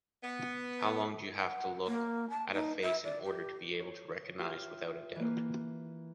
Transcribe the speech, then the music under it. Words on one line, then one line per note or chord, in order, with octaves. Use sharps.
How long do you have to look at a face in order to be able to recognize without a doubt.
B3
F#5
A#3
A5
D#4
E5
D5
G4
C#5
F4 G4 E5
E3 A#3